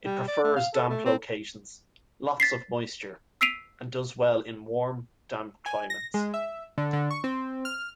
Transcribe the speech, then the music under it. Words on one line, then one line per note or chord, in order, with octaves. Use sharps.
It prefers damp locations, lots of moisture, and does well in warm, damp climates.
G3
D5
A3
F5
A4
A3
C4
A6 B6 C7
E6 B6 C7 D7 D#7 F7
G#5
A#6
G#3
E5
D3
D3
C#6
C4
F6